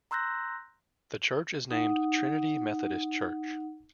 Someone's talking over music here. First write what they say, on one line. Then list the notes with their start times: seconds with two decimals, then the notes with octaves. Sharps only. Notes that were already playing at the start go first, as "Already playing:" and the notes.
The church is named Trinity Methodist Church.
0.11 A#5 C6 E6 F#6 G6 A#6
1.71 D#4 F#5